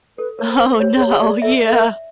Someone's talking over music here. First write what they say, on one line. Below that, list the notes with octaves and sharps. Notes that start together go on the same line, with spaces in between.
Oh, no. Yeah.
A4 B4
A#4 C#5
C5
C5
G4 C#5
G#4
C#5
G4
G#4
G4 D5
G#4
A4 E5
A4
A#4 E5